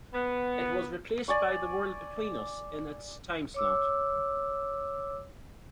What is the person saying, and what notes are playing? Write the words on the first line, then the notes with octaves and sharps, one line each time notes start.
It was replaced by "The World Between Us" in its timeslot.
B3
D5 G#5 C#6
C#5 D6 E6